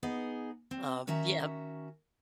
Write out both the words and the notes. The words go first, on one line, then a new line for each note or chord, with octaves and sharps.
Um, yeah
B3 D#4 G#4 D#5 G#5
C4
D#3 C#4 F#4 E5 A#5